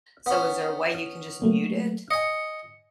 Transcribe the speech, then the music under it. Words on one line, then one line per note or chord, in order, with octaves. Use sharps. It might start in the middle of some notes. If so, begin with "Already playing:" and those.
So, is there a way you can just mute it?
B3 C#4
F#3 A3 A#3
D#5 G#5 C#7